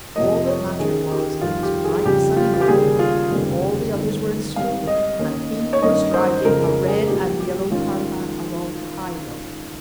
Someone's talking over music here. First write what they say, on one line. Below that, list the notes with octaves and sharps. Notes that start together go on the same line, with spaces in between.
All that mattered was, it was a bright sunny morning, and all the others were in school, and he was driving a red and yellow caravan along the high road.
F2 C3 F3 A#3 D#5
C#5
D#2 D#3 A#3 C#4 G#4
G4
F2 D#3 G3 F4
G4
G#4
F2 C#3 G3 G4
F4
F4
G4
D#2 C#3 G3 A#3 G#4
F4
F1 D#2 C#3 G3
G1 G2 D#3
G#2 G3 C4 F5
D#5
D#2 D#3 A#3 C#4
C#5
G2 D#3 A#3 C#4 D#5
C5
F2 C#3 G#3 A#4
A#4
G#4
A#1 G#2 G3 G4
G4
G#2 D#3 G#3 C#4 F4